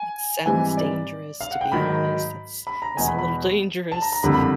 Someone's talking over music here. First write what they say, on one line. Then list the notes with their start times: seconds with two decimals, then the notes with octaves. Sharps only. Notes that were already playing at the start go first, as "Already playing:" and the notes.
That sounds dangerous, to be honest. That's that's a little dangerous
Already playing: G#5
0.46 G#2 E3 G3 C4 G#5
0.77 D5
1.41 F5
1.51 F#5
1.61 G5
1.72 G#2 D#3 F#3 B5
2.67 B5
2.82 A#5
2.97 E2 B2 G#3 G#5
3.08 B5
3.19 B5
3.92 A5
4.02 A#5
4.12 A#5
4.23 F#1 F2 D3 G3 A#3 B5
4.34 B5